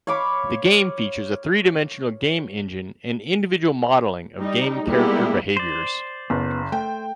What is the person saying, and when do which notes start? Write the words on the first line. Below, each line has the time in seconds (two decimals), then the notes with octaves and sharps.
The game features a three-dimensional game engine and individual modeling of game character behaviors.
0.07 C#5 F5 B5 D6
4.39 G3 D#4
4.86 G3 G#3 A#3 B3 E4 G4
5.57 C5 D5
6.30 F#1 B3
6.72 A3 G5